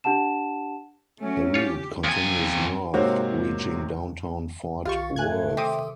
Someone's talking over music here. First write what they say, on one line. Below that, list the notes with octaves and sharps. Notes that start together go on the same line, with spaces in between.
The route continues north, reaching downtown Fort Worth.
D4 G4 F#5 A5 E7
F#3 A3 C#4
F4 G4 C#5
F2 G#5
G#2 C3 A#3 C4 F#4 C#5
B1 D#3 F4 G4 F5 C#6 A6
G#2 A3 G#5 F#6 G#6
C3 D#3 C4 A4 E5 D6 D#6